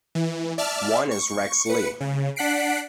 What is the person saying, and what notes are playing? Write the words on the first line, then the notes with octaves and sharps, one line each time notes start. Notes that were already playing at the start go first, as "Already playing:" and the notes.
One is Rex Lee.
E3
D5 E5 A5 F6
C#6
B4 C#7
C#3
D4 F#5 F#6 B6 C7 D7